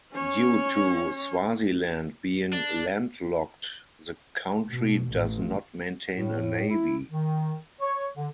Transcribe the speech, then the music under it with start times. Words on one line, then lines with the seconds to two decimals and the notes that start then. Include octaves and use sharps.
Due to Swaziland being landlocked, the country does not maintain a navy.
0.12 C#4 C#5
2.53 D4
4.70 B2
5.12 A1
6.16 A2
6.70 E4
7.11 D#3
7.81 C#5
8.17 D3